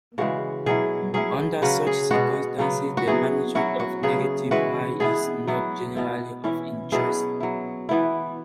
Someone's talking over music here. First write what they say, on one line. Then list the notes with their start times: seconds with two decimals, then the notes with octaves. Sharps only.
Under such circumstances the magnitude of negative Ri is not generally of interest.
0.18 C#3 E3 G#3 F#4
0.66 B2 F#3 E4 G#4
1.14 F#3 C#4 E4 G#4
1.62 C#3 F#3 C#4 F#4 B4
1.87 G#4
2.11 B2 G#3 B3 F#4
2.58 C#3 F#3 B3
2.97 F#4
3.07 F#3 B3 E4 G#4
3.55 F#3 C#4 E4 F#4
3.80 F#4
4.03 C#3 F#3 B3 G#4
4.51 E3 G#3 E4 F#4 B4
5.00 B2 B3 E4 G#4
5.47 F#3 B3 E4
5.96 B2 B3 E4
6.44 E3 C#4 E4
6.92 B2 F#3 B3 E4 G#4
7.40 F#3 E4
7.89 E3 B3 E4